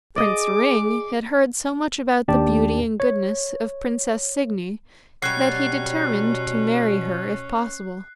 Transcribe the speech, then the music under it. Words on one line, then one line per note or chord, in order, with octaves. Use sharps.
Prince Ring had heard so much about the beauty and goodness of Princess Signy that he determined to marry her if possible.
G#4 D5 D#5 D6
D#2 D4 G4 D5 A5
C#5
B2 F#3 G3 C#4 F#6 C7